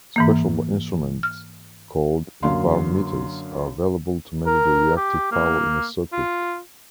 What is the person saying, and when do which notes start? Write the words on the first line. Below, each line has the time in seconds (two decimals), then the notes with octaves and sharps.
Special instruments called "varmeters" are available to measure the reactive power in a circuit.
0.16 G#2 E3 A#3
1.23 F6
2.43 F#2 D3 A#3 F5 C6
4.47 A#4
4.97 G4
5.32 A#3
6.13 F4